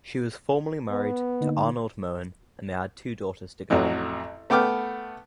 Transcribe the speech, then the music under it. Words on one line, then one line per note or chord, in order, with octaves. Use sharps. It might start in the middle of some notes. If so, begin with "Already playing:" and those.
She was formerly married to Arnold Moen and they had two daughters together.
B3
D3 A#3 D#4
A1 F2 F#3
A3 B3 G5 D6 F6